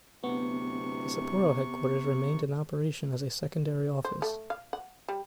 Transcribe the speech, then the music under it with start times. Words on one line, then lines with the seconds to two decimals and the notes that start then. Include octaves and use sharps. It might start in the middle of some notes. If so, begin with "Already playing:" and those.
The Sapporo headquarters remained in operation as a secondary office.
0.24 D1 C3 B3 C#6
4.05 C5
4.22 A3
4.50 F5
4.73 F#5
5.08 G3